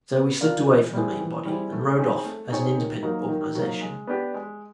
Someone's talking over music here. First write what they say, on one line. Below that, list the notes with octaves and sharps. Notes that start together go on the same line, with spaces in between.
So we slipped away from the main body and rode off as an independent organization.
B3
D4 F4 A#4
E3
G3 C4 E4 G#4
E3
G3 C4 E4 G#4
A3
C4 D#4 G#4 C#5
A3
C4 D#4 G#4 C#5
D#3
F#3 A#3 D#4
D#3
F#3 A#3 D#4
G#3
B3 D4 G4
G#3